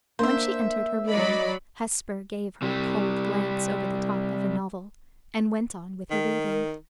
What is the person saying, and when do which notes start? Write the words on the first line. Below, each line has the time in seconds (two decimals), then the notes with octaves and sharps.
When she entered her room, Hesper gave her a cold glance over the top of her novel, and went on with her reading.
0.19 A#3 D4 C5 E5
1.09 F#3 D5 D#5 B5
2.62 C3 G3
6.10 D#3 A#4